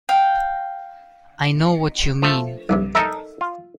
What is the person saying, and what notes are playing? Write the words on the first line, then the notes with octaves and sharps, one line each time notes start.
I know what you mean.
F5 G5
F3 A3
B1 G2 C3
D#4 A4 A#4 E5
F4